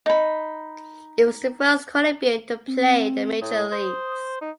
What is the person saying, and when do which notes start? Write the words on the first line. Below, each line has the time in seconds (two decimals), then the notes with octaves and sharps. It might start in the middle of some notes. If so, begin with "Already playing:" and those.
He was the first Colombian to play in the Major Leagues.
0.06 D#4 B5
2.68 C4
3.41 A2 D#6
3.72 C5
4.41 D#4